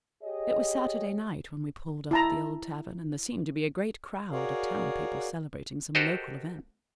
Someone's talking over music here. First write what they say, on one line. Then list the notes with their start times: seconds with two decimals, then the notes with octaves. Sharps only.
It was Saturday night when we pulled up at the old tavern, and there seemed to be a great crowd of town people celebrating some local event.
0.23 G4 G#4 C#5 D#5
2.11 E4 A5 A#5
4.31 F#4 G#4 A#4 C#5 D5 F5
5.95 F#4 G4 A4 A#4 C5 D#5